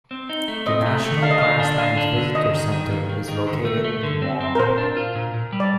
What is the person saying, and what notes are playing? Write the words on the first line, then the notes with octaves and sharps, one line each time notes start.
The National Grasslands Visitor Center is located in Wall.
C4
D#4
A3
C4 D#5
A3
A3
D4 F5
D#5
D3 F5
D4
D3 F5
D4
D3
D#3 D#5
D#3
D#3
A#3
D#3
D#3
D3
A3
A3
D3
C4
C4
A#4
A#2 C5
D4
F4
A#2
A#2
G3
D5